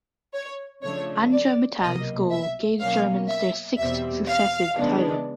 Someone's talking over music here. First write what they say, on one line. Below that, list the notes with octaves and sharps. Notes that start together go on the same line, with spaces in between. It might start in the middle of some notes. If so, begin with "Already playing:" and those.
Anja Mittag's goal gave the Germans their sixth successive title.
C#5
C#3 F3 A3 D4 C#5
D5
C2 B2 F#3 A#3 D#5
E5
B2 F#3 A#3 C#4 F5
E5
E2 B2 G3 C4 E5
F5
C#3 E3 G#3 B3 D4